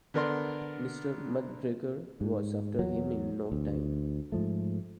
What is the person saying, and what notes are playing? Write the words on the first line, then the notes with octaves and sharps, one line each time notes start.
Mr McGregor was after him in no time.
D3 B3 A#4 D5 C6
G#2
E2 F#3
D2
G#2 F3 A3